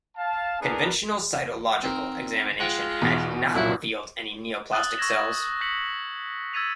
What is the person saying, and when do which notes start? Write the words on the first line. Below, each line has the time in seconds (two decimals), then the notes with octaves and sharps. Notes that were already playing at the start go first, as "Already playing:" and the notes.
Conventional cytological examination had not revealed any neoplastic cells.
0.17 F5 A5
0.60 B3 C#4 D4 G#4 A#4 B4
1.83 C4 D#4 A#4
2.60 G#3 F4 F#5 G5
3.02 E2 B2 D#4
3.55 C2 F#2 A#2 E4 F#4
4.72 D#6 F#6 A6 F#7 G7
4.98 C#6 E6 G#6 A#6 E7
5.61 D#6 G6 B6 C#7 F#7
6.53 E6 G#6 A6 B6 D#7 F7